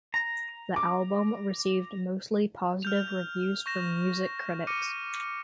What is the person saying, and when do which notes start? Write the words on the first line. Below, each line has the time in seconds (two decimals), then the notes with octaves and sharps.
The album received mostly positive reviews from music critics.
0.14 A#5
0.76 D6
2.83 F6 G6 F7
3.66 C#6 G6 A#6 E7
4.67 D6 F6 A#6 C#7 D#7